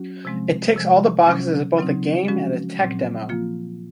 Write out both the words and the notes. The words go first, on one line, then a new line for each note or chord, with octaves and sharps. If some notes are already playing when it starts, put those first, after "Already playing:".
It ticks all the boxes as both a game and a tech demo.
Already playing: F#3 C#4 F#4
C3 F3 G#3 C4
C3 F3 G#3
C3 F#3 C#4
C#3 F#3 C4 D#4
F3 G#3 C#4 F#4
A#2 F#3 C4
F3 A#3 F4